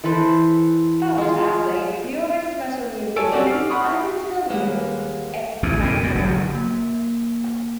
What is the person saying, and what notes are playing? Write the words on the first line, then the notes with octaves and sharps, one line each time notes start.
But as a purist metal musician, I can tell you- it's Black Sabbath.
E3 A4 B4 C5
G#3 F4
A4 C#5 G#5 E6 D7
C4 C#4 F#4 G4 D5
F6 C7
F#5 B5 C#6 D#6
D#2 G3 G#3 A#3 B4 F#5
A1 E2 B2
F#2 B2
F#2 C#3 F#3
F#1 G2 F#3
A#3